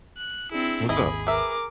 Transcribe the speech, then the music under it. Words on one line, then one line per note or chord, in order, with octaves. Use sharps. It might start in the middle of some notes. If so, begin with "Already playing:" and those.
What's up?
F#6
C4 D4 E4 G#4
G#1 D#2 G#2 E4 G#4 D#5 B5
A#4 B4 E5 D6